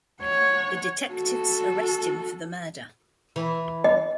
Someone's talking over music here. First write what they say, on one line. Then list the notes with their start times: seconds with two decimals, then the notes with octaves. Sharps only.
The detectives arrest him for the murder.
0.22 C#5 F#5
1.13 F#4 A4
3.36 E3
3.84 D#5